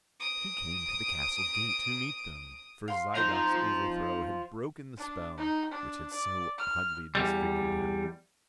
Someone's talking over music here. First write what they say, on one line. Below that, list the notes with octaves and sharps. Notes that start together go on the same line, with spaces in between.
He came to the castle gate to meet them, for Zidoc's overthrow had broken the spell which had so oddly disfigured him.
D#6 D7
F5 C6
C4 D#4 F4 C5 A#5
D4
D#4
D4
D5
F6
E2 G3